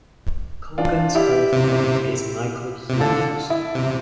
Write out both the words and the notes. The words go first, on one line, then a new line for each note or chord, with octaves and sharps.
Colgan's birthname is Michael Hughes.
D4 F4
E4 G4
C3
C3
D3 F4 A4
E4
C3